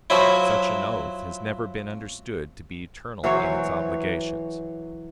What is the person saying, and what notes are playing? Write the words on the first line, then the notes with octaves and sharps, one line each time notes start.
Such an oath has never been understood to be eternal in its obligations.
F3 F#3 E4
E3 F#3 C5 C#5